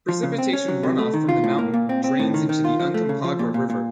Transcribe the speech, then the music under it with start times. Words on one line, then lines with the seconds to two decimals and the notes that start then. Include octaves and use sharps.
Precipitation runoff from the mountain drains into the Uncompahgre River.
0.09 F3
0.23 C#3
0.38 C4
0.53 C#4
0.68 F#3
0.83 C3
0.99 A3
1.14 D#3
1.29 F4
1.44 A2
1.59 A#3
1.74 A#2
1.89 C4
2.04 C4
2.19 A2
2.34 D#3
2.49 D#3
2.65 F4
2.80 F3
2.94 A3
3.09 C#3
3.24 F3
3.39 A#2
3.54 A#2
3.70 A#2